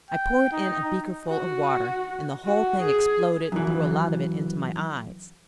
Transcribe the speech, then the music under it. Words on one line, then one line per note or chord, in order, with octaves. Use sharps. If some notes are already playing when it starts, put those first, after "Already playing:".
I poured in a beakerful of water, and the whole thing exploded and threw a lot of it into my eyes.
G5
D#4
F#4
F#4
G#4
F#2 E3